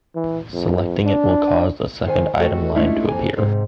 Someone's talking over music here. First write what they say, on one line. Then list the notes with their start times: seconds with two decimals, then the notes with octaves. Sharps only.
Selecting it will cause a second item line to appear.
0.15 E3
0.53 F2
1.06 D4
2.06 D#3 C5 F5 G#5
2.39 E2 A3 F#4 A4 D#5 G5
2.76 G#3 A3 C#4 D4 E4 F4
3.08 F2 E3 A#3 G#5
3.36 G#2 C3 C4 D#4